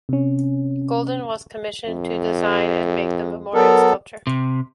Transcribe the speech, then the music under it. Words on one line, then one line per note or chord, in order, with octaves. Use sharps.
Goulden was commissioned to design and make the memorial sculpture.
C3 C#4
F2
F#3 B3 A4 A#4
C3